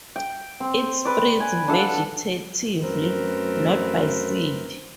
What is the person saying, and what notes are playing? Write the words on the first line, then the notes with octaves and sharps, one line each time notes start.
It spreads vegetatively, not by seed.
G5
C4
B4 D5
G#5
D4 A4 F5 F#5
F#2 A3 C4 A#4 B4